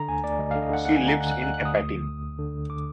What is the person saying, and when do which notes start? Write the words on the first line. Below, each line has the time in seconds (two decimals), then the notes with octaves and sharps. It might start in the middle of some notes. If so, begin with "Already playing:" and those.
She lives in Apatin.
Already playing: D3 A#5
0.09 D2 G#5
0.23 D2 D5
0.39 D2 D#5
0.51 D3 F5
0.62 D#5
0.70 D3 F#5
0.85 D3 F#5
0.97 D2 G#5
1.08 A#5
1.15 D2
1.20 F#6
1.31 D2 F#6
1.43 F#6
1.47 D2
1.54 F#6
1.62 D2 D#6
1.77 D2
1.93 D3
2.08 D2
2.23 D2
2.39 D3
2.55 D2
2.69 D3 D6